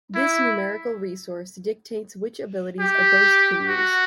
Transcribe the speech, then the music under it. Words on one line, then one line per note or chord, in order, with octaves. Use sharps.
This numerical resource dictates which abilities a ghost can use.
E4
G4
F#4